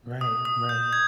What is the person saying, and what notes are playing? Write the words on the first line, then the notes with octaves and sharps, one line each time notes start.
Right, right.
D#6
D#6
G6
G#6